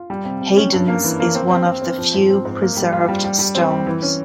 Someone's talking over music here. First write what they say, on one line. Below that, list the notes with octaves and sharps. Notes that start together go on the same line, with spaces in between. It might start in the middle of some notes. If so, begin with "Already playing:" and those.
Haydon's is one of the few preserved stones.
Already playing: F4
G3
C3
C3
C#4
G2
A#3
E3
A#3
C4
C4
C4
C4
F3
G#2
C4
G#2
A#3
G3
F4
G3
G3
G3
C4
G3
E3
C#4